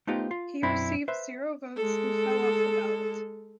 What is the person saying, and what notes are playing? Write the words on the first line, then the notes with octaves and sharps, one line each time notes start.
He received zero votes and fell off the ballot.
A3 B3 D#4 F4 G4 C5
F4
B1 F#2 C4 D4 E4 B5
B4 C5 E5
G#3 A4